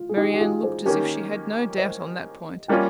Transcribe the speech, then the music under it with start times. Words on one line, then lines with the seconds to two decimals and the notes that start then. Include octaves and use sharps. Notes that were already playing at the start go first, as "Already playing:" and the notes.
Marianne looked as if she had no doubt on that point.
Already playing: F4
0.09 G#4
0.17 D#4 G4
0.33 G4
0.40 F4 G#4
0.63 G#4 C5
0.85 D#3 A#3 C#4 G4 A#4
1.77 C5 D#5
2.68 G3 A#3 C#4 F4 D#5 G5